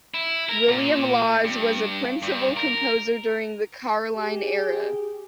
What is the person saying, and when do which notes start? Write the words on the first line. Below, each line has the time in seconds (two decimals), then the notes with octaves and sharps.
William Lawes was a principal composer during the Caroline era.
0.14 E4
0.49 A#4
0.69 A#2
1.44 G2
2.23 G2
2.57 A#4
4.14 G4 G#4